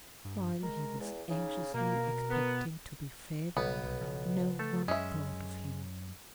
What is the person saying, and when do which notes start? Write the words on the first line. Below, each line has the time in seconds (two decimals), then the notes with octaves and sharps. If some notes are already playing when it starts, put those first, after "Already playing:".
While he was anxiously expecting to be fed, no one thought of him.
0.25 G2
0.63 G#3 A#4
1.00 E2
1.30 C#3 D#4
1.74 B2 A#3 A#4
2.30 B3
3.57 B1 C#3 G3 B3
3.83 C2 G3
4.01 C#3 F3
4.59 A3 A4
4.88 F#2 G#3 C#4 E5